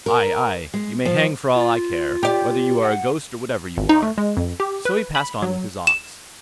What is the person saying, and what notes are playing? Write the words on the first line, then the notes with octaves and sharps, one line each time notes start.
Aye, aye! you may hang for all I care, whether you are a ghost or whatever you are.' So he passed on with his ox.
A#4
G#3
F3
F4
G4 D5
F#5
G#1
D#4
A3
G#3
F2
G4
B4
B5
F#3
E7